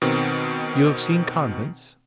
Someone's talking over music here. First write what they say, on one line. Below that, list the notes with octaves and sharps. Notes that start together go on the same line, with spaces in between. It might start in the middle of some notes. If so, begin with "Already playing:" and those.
"You have seen convents?"
B2 D#3 C4